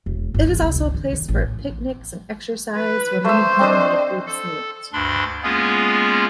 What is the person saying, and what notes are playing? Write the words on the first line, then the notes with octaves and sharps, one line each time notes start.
It is also a place for picnics and exercise, where many community groups meet.
E1
G1
E2
C2
D3
D3
D#3
A1
B4
A3 C5 E6
C4 D4 D#5
A4
D2 G2 D4 B5 C6
G#3 A#3 B3 C#4 F4 G#4